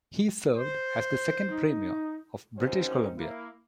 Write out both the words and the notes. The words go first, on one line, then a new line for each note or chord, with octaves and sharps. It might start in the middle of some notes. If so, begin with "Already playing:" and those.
He served as the second Premier of British Columbia.
C5
D#4
A#3 C4 C#4 D#4 F#4 C5
A#3 E4